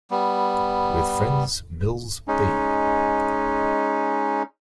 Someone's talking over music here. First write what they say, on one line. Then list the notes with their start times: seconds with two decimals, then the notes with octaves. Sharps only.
With friends Mills B.
0.11 G3 B3
2.28 G#3 C#4 D#4